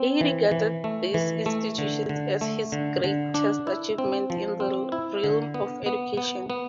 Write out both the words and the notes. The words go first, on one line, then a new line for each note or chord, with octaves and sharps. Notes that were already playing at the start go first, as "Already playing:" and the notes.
He regarded these institutions as his greatest achievement in the realm of education.
Already playing: C4
E3
E3
A3
E3
A3
D3
D3
A3
D3
D3
D4
E4
C4
F3
C4
E4
D3
B3
B3
B3
B3